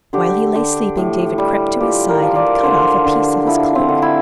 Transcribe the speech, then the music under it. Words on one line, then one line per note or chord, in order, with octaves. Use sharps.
While he lay sleeping David crept to his side and cut off a piece of his cloak.
D3 G4
D3 G4
A2
G3
F3 G4
A#4
F3
D5
D3 C5
D3
F3 E4
C4
D3
E4